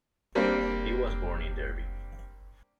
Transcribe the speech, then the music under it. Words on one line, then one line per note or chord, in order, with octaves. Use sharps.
He was born in Derby.
G3 A#3 C4 D4